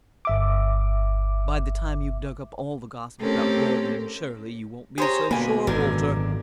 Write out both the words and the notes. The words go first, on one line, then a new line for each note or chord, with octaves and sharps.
"By the time you've dug up all the gossip about Gordon and Shirley you won't be so sure, Walter."
G1 E5 D6
A3 C4 C#4 G4 A4 A#4
G4 G#4 C5 C#5 A#5
B2 D3 A#3 G#5 B5
G#1 F#2 D3 A#4